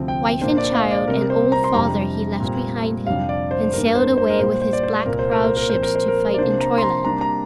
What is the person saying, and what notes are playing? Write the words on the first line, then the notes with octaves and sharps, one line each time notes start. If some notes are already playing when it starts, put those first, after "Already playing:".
Wife and child and old father he left behind him and sailed away with his black-prowed ships to fight in Troyland.
Already playing: D2 C3 F3 C4
G5
A#2 A#3 D4 C5
D5
F5
D5
C3 G3 C4 A#4
C5
A#5
C6
F2 C3 G3 D4 A#5
A#2 G3 C4
F2 C3 G3 D4 F5
D5
C5
G2 G3 A#3 D4 A#4
C5
C5
A#4
A#2 G3 A#3 C5
C5
D5
C5
C2 A#2 A#3 A#4
C5
A#4
C5
A#4
A#2 F3 C4 C5
A#4
C5
A#4
D5
C3 A#3 D4 C5
A#5
C6
A#5
C3 G3 A#3 D4 A#5
A#5